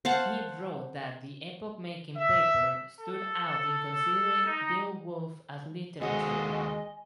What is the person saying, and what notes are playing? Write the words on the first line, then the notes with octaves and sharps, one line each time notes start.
He wrote that the "epoch-making paper" stood out in considering "Beowulf" as literature.
C5 F5 F#5 A5
E5
A4
D#4
D#2 G#3 F#4 D#5 G#5